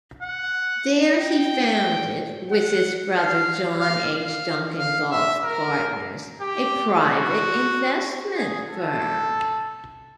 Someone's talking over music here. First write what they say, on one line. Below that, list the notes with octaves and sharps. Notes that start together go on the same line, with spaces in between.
There he founded-with his brother, John H. Duncan-Gulf Partners, a private investment firm.
F#5
G5
F#5
F5
F5
F5
F5
E5
A#4
G4
F#4
G#4
A4